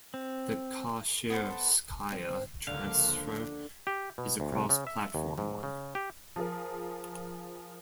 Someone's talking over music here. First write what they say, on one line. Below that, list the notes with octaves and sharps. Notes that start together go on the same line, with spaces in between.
The Kashirskaya transfer is a cross-platform one.
C4
B3 A4 C5
C4
C#2 D3 F3 A#3 F5
G4
B2
D2
C2
C#3
E5
D#2
G#2
C#3
G4
F3 G#4 A#4